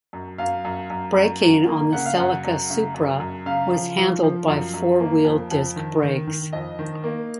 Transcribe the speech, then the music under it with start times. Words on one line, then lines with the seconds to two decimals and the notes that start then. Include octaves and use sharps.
Braking on the Celica Supra was handled by four-wheel disc brakes.
0.13 F#2
0.38 F#2 F5
0.65 F#2
0.90 F#2
1.15 F#2
1.42 F#2
1.66 A#3
1.93 C#3 F#5
2.06 F5
2.18 F#2 F#5
2.44 F#2
2.70 C#3
2.94 F#2
3.20 F#2
3.46 C#3 F5
3.72 F3
3.98 F3
4.23 F3
4.48 F#2
4.74 F#2
5.00 A#3
5.25 F2
5.51 F2
5.76 D#3
6.02 D#3
6.27 D#3
6.53 F2 D#5
6.79 D#3
7.04 A#3